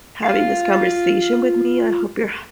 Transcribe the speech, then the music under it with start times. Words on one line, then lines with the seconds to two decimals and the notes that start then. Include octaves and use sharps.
having this conversation with me. I hope your h
0.25 F4 F5